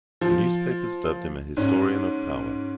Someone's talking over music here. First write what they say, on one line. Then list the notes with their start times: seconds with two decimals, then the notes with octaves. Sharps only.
The newspapers dubbed him a historian of power.
0.21 F3
1.57 G#2 C#4